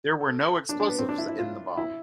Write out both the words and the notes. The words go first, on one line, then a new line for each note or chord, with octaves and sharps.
There were no explosives in the bomb.
A4
D4
D4
B3
C4
D4
E4
E4
F4
E4